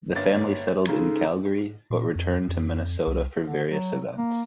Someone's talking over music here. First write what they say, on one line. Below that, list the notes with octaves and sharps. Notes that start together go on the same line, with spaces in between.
The family settled in Calgary, but return to Minnesota for various events.
G1 A#3 C#5 A6
C#3 G#3 D#4 A4
A#2
F2
F2
C2
D3
F#3
A#3